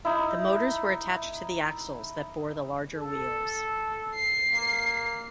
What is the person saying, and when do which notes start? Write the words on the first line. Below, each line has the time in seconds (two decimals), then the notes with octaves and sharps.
The motors were attached to the axles that bore the larger wheels.
0.05 D#4 E4
2.94 A4
4.15 C7
4.51 A#3